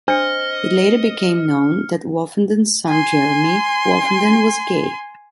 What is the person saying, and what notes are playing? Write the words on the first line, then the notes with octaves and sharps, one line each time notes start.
It later became known that Wolfenden's son Jeremy Wolfenden was gay.
D4 C5 D#5 F6 C#7
G#5 C6